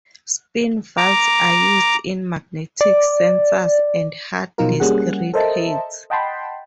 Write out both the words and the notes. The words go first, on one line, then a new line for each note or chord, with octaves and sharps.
Spin valves are used in magnetic sensors and hard disk read heads.
A#5 D6
D5
B2 F3 F#3 D#4 F4 A#4
G3 A#3 C#4 G#4 F#5
A4 A#4 C5 D#5 E5 A5
D#5 F#5 G5 A5 B5 C6